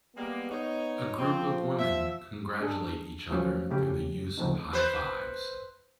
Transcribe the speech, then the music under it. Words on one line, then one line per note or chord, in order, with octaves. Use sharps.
A group of women congratulate each other through the use of highfives.
G3 G#3 A#3 B3
D#4 C#5
F3 C4
E5
D4 G#4 A4
F3 F#3 A3 C#4 F4
C#3 A3 C#4 G4
C#3 F3 A3 C4 D#4
B4 C5